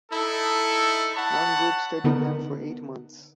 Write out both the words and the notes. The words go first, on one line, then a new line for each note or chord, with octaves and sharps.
One group studied them for eight months.
D#4 E4 A4
C#5 F#5 A5 B5
D3 B3 D#4 A#4